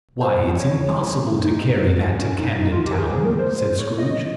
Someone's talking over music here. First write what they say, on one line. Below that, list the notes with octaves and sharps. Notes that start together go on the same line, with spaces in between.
"Why, it's impossible to carry that to Camden Town," said Scrooge.
C5
C#5
D#4
C#4
D#4
D#4
F4
G4
A#4
G#4
G#4
A#4
C5
C5
C#5
D#5